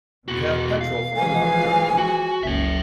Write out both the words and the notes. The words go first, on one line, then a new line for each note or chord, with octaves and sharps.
You have petrol for a long journey?
E2 B2 E4 F#4
F5
E3 F3 G#3 G#5
F#4
F#1 C#2 F#2 C#5 E5